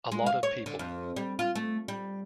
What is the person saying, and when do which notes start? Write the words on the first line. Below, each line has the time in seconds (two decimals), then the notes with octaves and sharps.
A lot of people.
0.12 G#3
0.26 F5
0.43 C#5
0.66 D3
0.79 F2
1.16 G3
1.39 F4
1.55 A3
1.88 G3